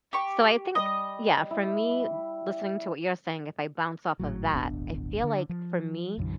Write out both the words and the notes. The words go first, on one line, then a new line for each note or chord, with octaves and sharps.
So I think yeah, for me, listening to what you're saying, if I bounce off of that, I feel, like, for me,
G4 C#6
G3 D#5
E4
G#1 A2 F#3
D1 G1 B3 D4
D3
F3
B1 F#2 D3 E3